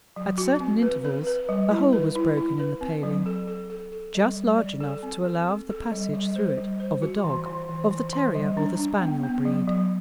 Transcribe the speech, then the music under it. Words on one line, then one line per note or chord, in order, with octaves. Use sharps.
At certain intervals a hole was broken in the paling just large enough to allow of the passage through it of a dog of the terrier or the spaniel breed.
F#3
F#4
C4
B4
B4
B4
G3
E4
B4
E4
E4
B4
C4
F#3
A4
A4
A4
A4
G3
G3
D5
A4
C4
A4
C4
A4
G3
G3
C5
G3
C5
F#4
E3
E3
E3
E3
E3
G3
D4
D4
B3
B3
F#3
F#3